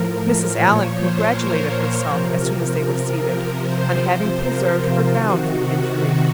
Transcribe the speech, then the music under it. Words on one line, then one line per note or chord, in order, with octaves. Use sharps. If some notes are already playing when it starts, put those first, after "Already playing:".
Mrs. Allen congratulated herself, as soon as they were seated, on having preserved her gown from injury.
Already playing: A2 F3 A#4
A#2 F3 C#5
C5
A#4
C3 F3 A#4
C3 F3 C5
A#4
F4
C3 D#3 F#4